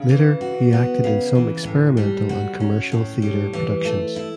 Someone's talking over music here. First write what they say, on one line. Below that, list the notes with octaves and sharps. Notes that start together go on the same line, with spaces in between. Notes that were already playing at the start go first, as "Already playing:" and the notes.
Later he acted in some experimental and commercial theatre productions.
Already playing: C#3
E3
F#4
B3
C#3
E3
A2
G3
F#4
C#4
A2
G3
E3
A3
E4